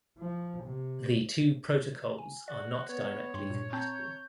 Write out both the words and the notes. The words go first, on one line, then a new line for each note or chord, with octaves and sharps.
The two protocols are not directly compatible.
F3
C3
G#5
F#4 D5
B3 C#5
G2 C6
A#2
C4 A5 A#5 G6